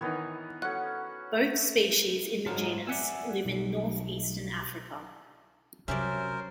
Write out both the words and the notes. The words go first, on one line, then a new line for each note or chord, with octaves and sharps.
Both species in the genus live in North-eastern Africa.
D#3 E3 B3 D#4 C#5
C#4 F#4 A4 F#5 F#6
G#2 F#3 G#3 D#4 A5 F6
D5 E5 F#5 G#5 E6
B1
C3 F#3 C#4 G4 A#4 C5 D5 E5